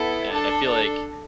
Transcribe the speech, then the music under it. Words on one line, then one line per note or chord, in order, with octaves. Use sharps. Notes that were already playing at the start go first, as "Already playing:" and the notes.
And, I feel like
Already playing: B3 E4 A4
D4 A4 A5